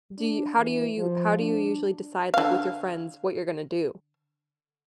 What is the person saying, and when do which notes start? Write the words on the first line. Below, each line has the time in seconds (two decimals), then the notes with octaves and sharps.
Do you how do you u how do you usually decide, like, with your friends, what you're going to do?
0.18 D4
0.58 E3
0.98 F3
1.39 D4
2.34 D3 F5